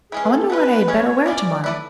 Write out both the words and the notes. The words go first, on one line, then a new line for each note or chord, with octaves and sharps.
I wonder what I had better wear tomorrow.
E3 G#3 C#4 G#4
B4
A4
E3 G#3 C#4 B4
E3 G#3 C#4 C#5
E3 G#3 C#4 D5
A3 E4 B4 D5